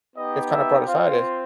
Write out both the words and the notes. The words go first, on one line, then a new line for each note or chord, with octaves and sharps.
it's kinda brought aside is
B3 D#4 G4 D#5
E5
C4 F4 F5